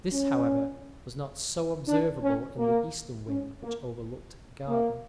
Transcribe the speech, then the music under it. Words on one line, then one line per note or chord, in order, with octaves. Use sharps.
This, however, was not so observable in the eastern wing, which overlooked the garden.
C#4
D4
C#4
A#3
C#4
A#3
A#3